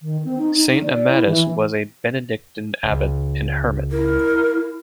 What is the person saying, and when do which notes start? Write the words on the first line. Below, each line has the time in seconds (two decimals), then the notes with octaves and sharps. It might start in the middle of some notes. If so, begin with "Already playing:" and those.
Saint Amatus was a Benedictine abbot and hermit.
0.01 D#3
0.25 C4
0.38 D#4
0.55 D#4
0.68 D#4
0.83 D5
1.08 E4
1.26 E3
2.84 C#2
3.92 E4 A#4